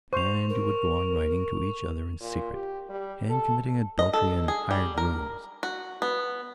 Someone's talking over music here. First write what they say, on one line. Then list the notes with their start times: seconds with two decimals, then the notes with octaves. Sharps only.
And you would go on writing to each other in secret, and committing adultery in hired rooms.
0.13 C5 C#6 F7
0.49 A#4
2.21 A#2
2.53 G4
2.90 G3
3.29 A4
3.99 D#5
4.13 A4
4.48 G#4
4.71 G3
4.98 A#4
5.63 F#4
6.02 B3